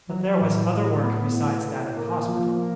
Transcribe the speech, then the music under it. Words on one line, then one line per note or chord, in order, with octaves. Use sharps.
But there was other work besides that at the hospital.
F#3
A2
A2
B3
A2
A2
A#3
F3
A#3